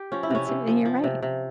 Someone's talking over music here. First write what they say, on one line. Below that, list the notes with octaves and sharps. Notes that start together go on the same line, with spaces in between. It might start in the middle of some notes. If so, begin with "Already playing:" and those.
that's it, and you're right.
Already playing: G4
F3 C#4
E4
C3 C#4
C3
F3
F3
C3
C3